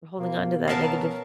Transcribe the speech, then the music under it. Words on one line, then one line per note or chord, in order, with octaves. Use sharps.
Holding on to that negative,
B2 A#3
B3 C#4 A#4 E5 F5 A5